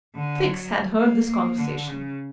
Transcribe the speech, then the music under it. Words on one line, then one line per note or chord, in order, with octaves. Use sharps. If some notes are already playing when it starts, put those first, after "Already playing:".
Fix had heard this conversation.
D3
F#3
A#3
A#3
D3
C#3